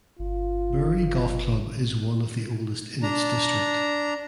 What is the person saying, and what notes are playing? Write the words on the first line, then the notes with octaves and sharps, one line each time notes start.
Bury Golf Club is one of the oldest in its district.
G1 F4
D4 A#5